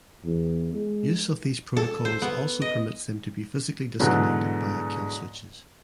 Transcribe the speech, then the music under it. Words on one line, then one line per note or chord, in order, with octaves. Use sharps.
Use of these protocols also permits them to be physically disconnected via kill switches.
E2
G#3
A4
C5
B3
D#5
G#2 B2 D3 E3 F#3